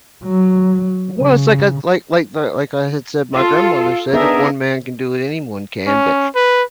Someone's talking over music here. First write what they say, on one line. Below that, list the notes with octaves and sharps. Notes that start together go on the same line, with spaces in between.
Well, it's like a like like the like I had said, my grandmother said, "If one man can do it, anyone can," but,
F#3
C#3
F4 A4
B3 D4 D#4 G#4 A#4 E5
C#4
B4